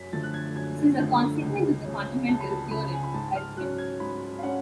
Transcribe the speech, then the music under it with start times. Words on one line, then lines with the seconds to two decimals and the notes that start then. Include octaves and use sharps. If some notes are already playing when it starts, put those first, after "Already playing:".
This is a consequence of the fundamental theorem of arithmetic.
Already playing: F#2 B6
0.13 D3 F3 A3 A6
0.23 F#6
0.34 G#6
0.55 F#2 G#6
0.99 D3 F3 A3
1.41 C#2
1.85 C#3 F3
2.28 C#2 A5
2.40 B5
2.50 A5
2.71 C#3 F3 B5
2.93 G#5
3.04 B5
3.14 G#2 A5
3.35 F6
3.57 F#3 C#4 F#6
3.78 G#6
4.00 G#2 B5
4.38 F5
4.43 C#4 F#5